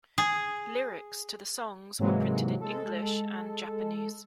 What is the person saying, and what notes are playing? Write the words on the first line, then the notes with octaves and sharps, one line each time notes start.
Lyrics to the songs were printed in English and Japanese.
G#4
G#2 C3 E3 F#3 G#3 A#3
G#3 A4